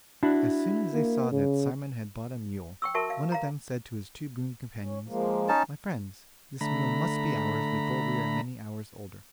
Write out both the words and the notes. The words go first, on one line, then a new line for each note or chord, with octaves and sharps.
As soon as they saw that Simon had bought a mule, one of them said to his two boon companions, 'My friends, this mule must be ours before we are many hours older.'
D4 E4 F#4
A#3
C#3
G5 C#6 E6
F#4 A#4 E5 A5 C#6
F5
F5 A#5
C#4
F3 G#3 A#3
C#4 D#4 A5
D3 A3 A#5 B5